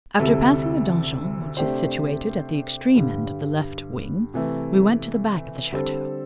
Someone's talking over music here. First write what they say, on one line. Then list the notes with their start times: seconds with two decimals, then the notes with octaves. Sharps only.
After passing the donjon, which is situated at the extreme end of the left wing, we went to the back of the chateau.
0.19 D2 C3 G3 E4 A4
1.57 C3 A3 D4 G4 C5
2.95 G2 D3 G3
4.34 C3 E3 A3
5.72 D3 G3 C4 A4 C5